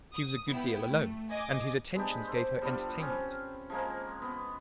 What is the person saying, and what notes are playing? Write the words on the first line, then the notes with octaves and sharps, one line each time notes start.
She was a good deal alone, and his attentions gave her entertainment.
D#6
B3 E4 G5
A3
D#5 G#5 D6
G#3 B3 D4 G4
A4 C5
G3 B3 D4 F4
C4 C#4
F3 G#3 A#3
B3